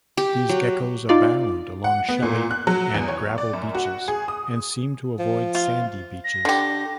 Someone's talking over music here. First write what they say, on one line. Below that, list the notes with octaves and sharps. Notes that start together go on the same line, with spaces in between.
These geckos abound along shelly and gravel beaches, and seem to avoid sandy beaches.
G4
F#3
D#4 F4 D5
F#5
B3
A#2
F#6
F#3
E2
C#5
D5
F#2
F#4
G#4
D#6
F3
F4
A#6
D3 G4